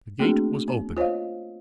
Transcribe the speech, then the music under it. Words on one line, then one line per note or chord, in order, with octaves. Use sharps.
The gate was opened.
A3 A#3 C4 D4 F#4 G#4
B3
F4 C5 C#5 D#5 F5